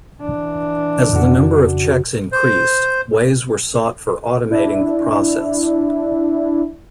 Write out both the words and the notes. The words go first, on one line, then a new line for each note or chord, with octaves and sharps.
As the number of cheques increased, ways were sought for automating the process.
E3 D4
F2 C#3 F#4
C5
D4 E4